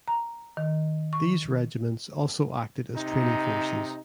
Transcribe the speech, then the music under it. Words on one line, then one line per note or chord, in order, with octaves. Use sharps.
These regiments also acted as training forces.
A#5
D#3
C#6
C3 D#4